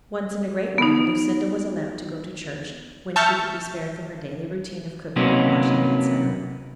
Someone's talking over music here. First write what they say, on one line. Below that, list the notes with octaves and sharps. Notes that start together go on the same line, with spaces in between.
Once in a great while Lucinda was allowed to go to church, when she could be spared from her daily routine of cooking, washing, etc.
B3 D#4
E5 A5 C#6 F6 G6
C3 F#3 A#3 B3 C#4 D#4